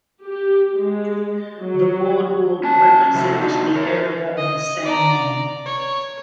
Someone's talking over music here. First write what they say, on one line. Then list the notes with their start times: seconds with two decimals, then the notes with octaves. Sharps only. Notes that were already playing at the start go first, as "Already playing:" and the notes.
The ward will represent the area of the same name.
0.23 G4
0.75 G#3
1.60 F#3
2.64 C#4 A5
3.15 C3 F3 A3 E4 F#4
3.36 D4 D#4 F#4 F#5
3.76 A#4 C#5
4.37 D#5
4.83 D5 A#5
5.66 C#5